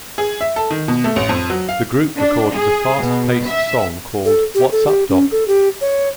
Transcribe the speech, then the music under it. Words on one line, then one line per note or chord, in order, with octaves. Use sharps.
The group recorded a fast-paced song called What's up, Doc?
G#4
E5
A4
D#3
B2
A3
A1
F2
F#3
F5
D4
G#4
B2
E5
A4
G4
A4
G4
C#4
A4
G4
C#5